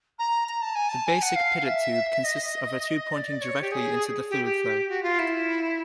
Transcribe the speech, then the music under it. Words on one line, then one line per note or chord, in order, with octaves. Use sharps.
The basic pitot tube consists of a tube pointing directly into the fluid flow.
A#5
A#5
A5
G#5
A5
G#5
F#5
F5
E5
D#5
D5
C#5
G4
G#4
G4
G4
F#4
F4
E4